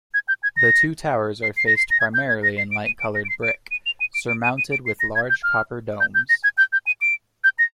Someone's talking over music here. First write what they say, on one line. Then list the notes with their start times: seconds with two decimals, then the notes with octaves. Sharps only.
The two towers are faced primarily in light-colored brick, surmounted with large copper domes.
0.14 G#6
0.28 G6
0.43 G#6
0.57 A#6
1.43 C7
1.57 C7
1.67 A#6
1.76 C7
1.91 A#6
2.00 G#6
2.14 G6
2.29 G#6
2.43 A#6
2.58 C7
2.71 D7
2.86 D#7
3.00 D7
3.15 A#6
3.25 D7
3.29 C7
3.43 D7
3.71 D#7
3.86 F7
4.00 D#7
4.14 D7
4.28 D7
4.44 D#7
4.58 D#7
4.72 D7
4.86 C7
5.00 A#6
5.15 G#6
5.30 G6
5.43 F6
6.00 G6
6.14 G6
6.29 A#6
6.44 G#6
6.58 G6
6.73 G6
6.87 D#7
7.01 D7
7.44 G6
7.59 A#6